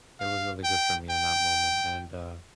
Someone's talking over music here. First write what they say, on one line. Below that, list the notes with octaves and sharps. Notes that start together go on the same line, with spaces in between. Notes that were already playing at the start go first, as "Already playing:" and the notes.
It was really good for me in that moment and, uh,
F5
G5
G5